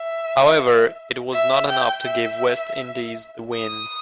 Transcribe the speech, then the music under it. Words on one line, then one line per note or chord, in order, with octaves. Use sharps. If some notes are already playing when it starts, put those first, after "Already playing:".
However, it was not enough to give West Indies the win.
Already playing: E5
E5
G5
E5
D#6